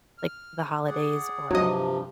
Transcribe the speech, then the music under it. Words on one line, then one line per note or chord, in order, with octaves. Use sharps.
like, the holidays or
F6
G#4 D5 F#5
G2 C3 F3 F#3 D#5